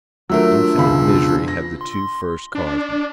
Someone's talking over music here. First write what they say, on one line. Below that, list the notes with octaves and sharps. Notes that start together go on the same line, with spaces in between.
What infinite misery have the two first caused me!
F#3 A3 D4 F4 A#4 E6
E1 C#2 B5
A#6
C6
D4